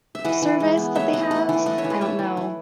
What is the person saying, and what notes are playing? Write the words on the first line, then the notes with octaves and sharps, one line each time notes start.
service that they have? I don't know,
E5
E3 D#5 F#5
E3
G#3
B3
A3 C#5 E5
E3 D#5 F#5
A3 D#5 F#5
E3
A3 D#5 F#5
C#5 E5
E3
B4 D#5
A3 C#5 E5
E3
E3